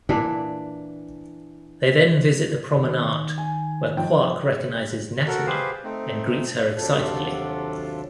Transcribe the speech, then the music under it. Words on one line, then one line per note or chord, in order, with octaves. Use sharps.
They then visit the Promenade, where Quark recognizes Natima and greets her excitedly.
A#2 E3 D4
D#3
G#5
G#2 F3 G5
F#4 A4 A#4
G4 G#4 B4 C5 F5
A3 C4 D#4
D#2 C3 F#3 D4 F4 A4